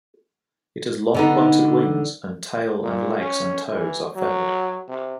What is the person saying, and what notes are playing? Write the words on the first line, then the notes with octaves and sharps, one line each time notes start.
It has long pointed wings and tail and legs and toes are feathered.
D3 B3 D#4
A#2
C#4
E3
F#3
C3